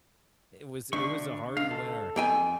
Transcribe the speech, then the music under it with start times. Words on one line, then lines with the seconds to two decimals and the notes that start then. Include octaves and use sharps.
it was it was a hearty winter,
0.93 D2 D4 C#6
1.57 C#2 F5
1.71 A4
2.16 F2 G5 G#5